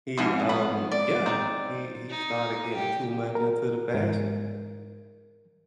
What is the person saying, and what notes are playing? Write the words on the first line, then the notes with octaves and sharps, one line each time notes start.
he, um, yeah. He he started getting too much into the fashion,
F2 G#2 E3 F5
B3 B5
D5
C4 D#4
D#4
G4
A#4
G#2